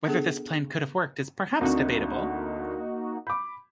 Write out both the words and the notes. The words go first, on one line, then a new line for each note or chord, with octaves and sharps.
Whether this plan could have worked is perhaps debatable.
B3 D4 G#4 A4
D2 D3 A#3 C4 D#4 F#4
B5 D6 G6